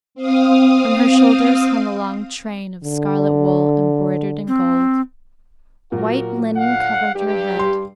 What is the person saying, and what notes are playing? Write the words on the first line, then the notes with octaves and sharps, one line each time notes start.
From her shoulders hung a long train of scarlet wool embroidered in gold. White linen covered her head.
C4 F5 D#6
D3
C4
A#2 F#3 F#4 A#4
D3 F5 F#5
G2 G4
G3 C6